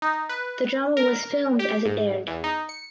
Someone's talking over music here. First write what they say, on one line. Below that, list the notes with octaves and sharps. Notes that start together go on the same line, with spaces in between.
The drama was filmed as it aired.
D#4
B4
A#4
G4
G#2
E2
D#4
C#7